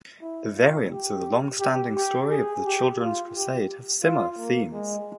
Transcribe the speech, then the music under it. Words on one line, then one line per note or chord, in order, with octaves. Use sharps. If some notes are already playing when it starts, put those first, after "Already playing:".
The variants of the long-standing story of the Children's Crusade have similar themes.
E4
F4
G4
G4
G4
G#4
G4
F4
G4
F4
A#3
G#3